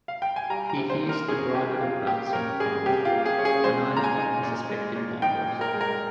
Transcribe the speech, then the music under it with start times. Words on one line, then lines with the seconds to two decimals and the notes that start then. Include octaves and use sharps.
He is the brother of Ramzi Mohammad, another of the suspected bombers.
0.08 F5
0.22 G5
0.36 G#5
0.49 G3 A#5
0.70 A#5
0.77 C3
0.90 C5
1.02 A#3
1.09 A#4
1.28 C#4 G#4
1.54 G3 G4
1.81 C3 F4
2.07 A#3 G4
2.33 C#4 A#4
2.60 G3 G#4
2.86 C3 G4
3.05 F4
3.12 A#3
3.26 G#4
3.38 C#4
3.45 G#4
3.64 G#3 C5
3.91 A#2
3.97 A#5
4.04 G#5
4.17 D#4
4.43 A#2
4.69 G#3
4.96 A#2
5.22 D#4 G5
5.48 A#2
5.61 A#4
5.74 G#3
5.81 A#4